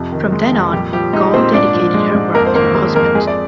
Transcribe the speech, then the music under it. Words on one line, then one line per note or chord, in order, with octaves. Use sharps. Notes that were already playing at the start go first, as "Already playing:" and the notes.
From then on, Goll dedicated her work to her husband.
Already playing: F2 C3
D#3
G#3
F2
A#2 G3 G4
F3 G3 G4
G#3 D#4 D#5
A#2 C4 C5
G#2 D4 D5
F3
G#3
G#2
F2 A#3 A#4
C5
D#3 A#3 A#4
G#3 A#3 A#4
F2 A#3 A#4
F2 G#3 G#4
D5